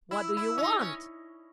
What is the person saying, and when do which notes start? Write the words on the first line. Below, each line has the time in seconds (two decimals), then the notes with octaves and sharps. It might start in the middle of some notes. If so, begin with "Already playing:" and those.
"What do you want?"
0.11 E4
0.37 E4
0.58 C#4
0.63 D#4
0.81 C#4